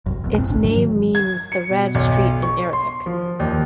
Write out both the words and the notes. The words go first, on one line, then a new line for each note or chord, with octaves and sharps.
Its name means "the Red Street" in Arabic.
F#1 C2 F#2
C2 F2 B2
A2 C4
G#1 C#2 D4
G#2 D#3 F#3
F#3
G#6
C#7
B2
B1
C#6
C6
F3
D#2